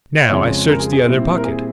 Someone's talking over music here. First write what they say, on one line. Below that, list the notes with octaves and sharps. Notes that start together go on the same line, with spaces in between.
Now I search the other pocket....
E5
F2 C#3 F3 G#3 C#5
A#4
G#4
G#4
A#2 G3 C4 E4
A#4
G#4